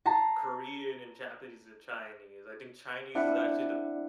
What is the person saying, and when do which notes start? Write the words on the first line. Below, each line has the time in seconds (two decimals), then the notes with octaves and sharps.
Korean and Japanese and Chinese, I think Chinese is actually the
0.06 A5 A#5 C7
3.15 C4 D4 E4 D5 E5 F#5